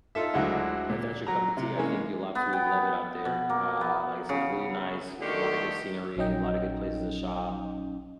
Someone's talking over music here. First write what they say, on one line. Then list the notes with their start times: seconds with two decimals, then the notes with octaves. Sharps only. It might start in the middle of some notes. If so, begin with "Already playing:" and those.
if that's your cup of tea, I think you'll absolutely love it out there, uh, like I says, it's really nice, a lotta good scenery, a lotta good places to shop,
0.15 D#4 F4 A4 E5
0.34 D2 D3 F#3 G#3 E4 D#5
0.89 A#2
1.27 F#3 A#5
1.57 C3
1.77 E3 G#3 A#3 C#4
2.35 B3
2.53 G5
3.25 B2
3.50 A#3
3.81 B3
4.29 C#3
5.22 B2 D3 D#3 A3 G4
6.17 A#1 F#3 C#4 D#4 D#5 G5